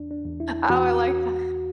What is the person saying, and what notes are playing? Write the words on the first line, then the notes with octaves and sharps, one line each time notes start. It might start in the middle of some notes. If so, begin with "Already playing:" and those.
Oh, I like that.
Already playing: E2 D4
D4
E2
E4
E2 F#4